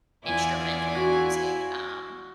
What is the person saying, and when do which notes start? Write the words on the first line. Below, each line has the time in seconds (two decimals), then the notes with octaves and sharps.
instrumental music, um,
0.25 E2 E4 F4 D5 G#5
0.95 F#4